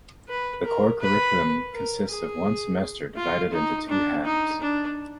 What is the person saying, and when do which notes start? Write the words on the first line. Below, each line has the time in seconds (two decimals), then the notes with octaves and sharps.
The core curriculum consists of one semester, divided into two halves.
0.29 B4
0.65 A#4
1.01 B4
1.73 A#4
2.09 G#4
3.16 F4
3.53 D#4
3.89 D4
4.25 D#4
4.61 D4